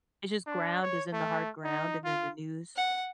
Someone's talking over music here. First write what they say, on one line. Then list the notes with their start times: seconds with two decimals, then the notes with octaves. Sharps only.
It's just ground as in the hard ground and then the news?
0.46 D4
0.83 C#5
1.13 A3
1.64 D#4
2.04 F4
2.76 F#5